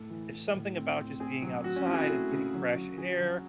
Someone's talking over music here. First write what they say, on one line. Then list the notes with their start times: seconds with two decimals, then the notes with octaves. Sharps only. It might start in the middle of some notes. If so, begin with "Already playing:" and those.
there's something about just being outside and getting fresh air
Already playing: A2 A3 A4
0.10 E3
0.32 E3
0.54 A2
0.76 C4
0.98 C4
1.20 C4 G#4
1.42 F#3
1.64 F#3 F#4
1.76 C#4
1.87 C4 E4
1.93 G#4
1.99 F#4
2.10 A3
2.32 C#3
2.54 F#3
2.75 F#3
2.97 F#3 G#4
3.20 F#3